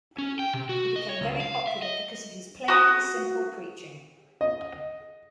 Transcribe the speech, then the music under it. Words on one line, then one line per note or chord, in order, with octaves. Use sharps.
He became very popular because of his plain and simple preaching.
C#4
G5
C3
F#4
D#5
C#5
C#2
F5
E5
D#5
F#4 D#6
D#5